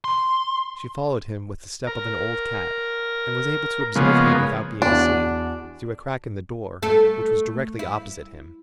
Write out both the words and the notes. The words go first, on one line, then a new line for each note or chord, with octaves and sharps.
She followed him with the step of an old cat, and was able to observe him without being seen, through a crack in the door, which was directly opposite him.
C6
A#4
C#3 F3 G#3 A#3 B3
E2 D4 F#4
A3 A4
E4